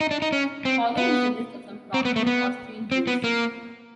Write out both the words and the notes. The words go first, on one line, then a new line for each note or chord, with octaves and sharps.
The following is a list of some prominent Austrian Jews.
D#4
D4
D#4
C#4
C4
B3
C4
B3
A3
B3
C4
B3
A#3